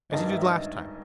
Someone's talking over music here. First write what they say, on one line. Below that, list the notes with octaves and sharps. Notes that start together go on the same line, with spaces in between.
As you did last time!
G#1 G2 D#3 D#5
E5
D#5